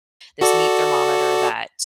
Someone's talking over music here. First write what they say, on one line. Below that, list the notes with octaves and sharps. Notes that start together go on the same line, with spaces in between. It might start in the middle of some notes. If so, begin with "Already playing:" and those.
this meat thermometer that
F#4 A4 D5